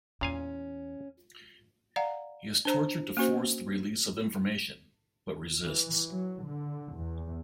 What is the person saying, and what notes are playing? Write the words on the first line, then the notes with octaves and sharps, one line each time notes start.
He is tortured to force the release of information, but resists.
E2 A#2 C#4 F5 G#5
D5 F5 F#5 A#5
D4 C5 A#5
A#3 C#4 F#4 C5
E3
F#3
D3
E2